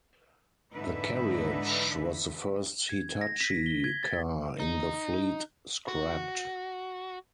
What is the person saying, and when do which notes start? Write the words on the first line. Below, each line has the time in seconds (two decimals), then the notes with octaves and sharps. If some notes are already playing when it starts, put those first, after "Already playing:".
The carriage was the first Hitachi car in the fleet scrapped.
0.75 G#2 D3 E3 D#4 B4 E5
2.89 G#6
3.21 A#6
3.41 B6
3.66 G7
3.84 G#6
4.03 A6
4.60 D#4
5.88 F#4